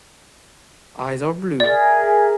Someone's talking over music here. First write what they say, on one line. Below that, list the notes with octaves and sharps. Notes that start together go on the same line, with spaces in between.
Eyes are blue.
G#4 A#4 D5 E5